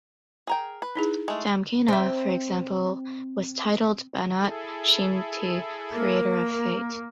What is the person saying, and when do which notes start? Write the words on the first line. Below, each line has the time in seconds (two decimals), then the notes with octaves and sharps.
Damkina, for example, was titled "banat shimti", "creator of fate".
0.47 G#4 A#4 G5
0.82 B4
0.95 D#4 E4 G#4
1.28 G#3 A3
1.88 C4 E5
4.40 E4 G#4 A4
5.94 A#3 A#4